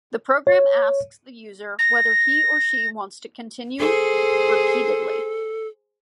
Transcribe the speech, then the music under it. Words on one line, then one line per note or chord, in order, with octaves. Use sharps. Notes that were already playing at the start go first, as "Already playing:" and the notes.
The program asks the user whether he or she wants to continue - repeatedly.
C#5
A#6
G#4 A4 C5